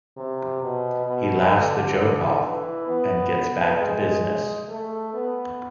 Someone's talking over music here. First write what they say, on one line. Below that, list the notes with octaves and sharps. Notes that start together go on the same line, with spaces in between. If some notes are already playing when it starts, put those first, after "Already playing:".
He laughs the joke off and gets back to business.
C3
B2
B2
D3
D3
E3
B3
G#3
A3
B3